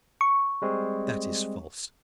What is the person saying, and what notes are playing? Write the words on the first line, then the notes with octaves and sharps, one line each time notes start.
That is false.
C#6
G3 G#3 C4